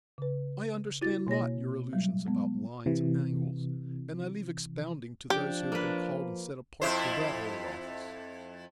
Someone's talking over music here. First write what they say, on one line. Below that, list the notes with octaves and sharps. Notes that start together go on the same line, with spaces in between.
I understand not your allusions about lines and angles; and I leave expounding to those who have been called and set apart for that holy office.
C#3 B4
E4 F#4 A6
B2 A#3 C#5 A#6
F#3 G3
G#3 B3
C3 E3
F3 D4 G4
A#3 B4
F2 E4 C5